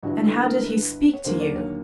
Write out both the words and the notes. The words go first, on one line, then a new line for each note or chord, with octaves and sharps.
'And how did he speak to you?'
G1 G2 E3 F#4
A4
A#4
B4
C#5
D#2 D3 F#3 A#3 C5
D5
C#5